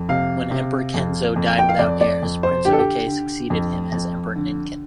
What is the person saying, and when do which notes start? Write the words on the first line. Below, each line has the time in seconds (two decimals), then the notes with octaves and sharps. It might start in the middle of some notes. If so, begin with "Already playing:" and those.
When Emperor Kenzo died without heirs, Prince Oke succeeded him as Emperor Ninken.
Already playing: F2
0.09 C3 F5
0.51 C3
0.94 F2
1.36 F2
1.58 G5
1.69 F5
1.79 F2 D5
2.01 D5
2.23 F2
2.43 C5
2.65 D3 G4
2.73 A4
2.79 G4
3.07 D3
3.50 F2
3.92 F2
4.35 D3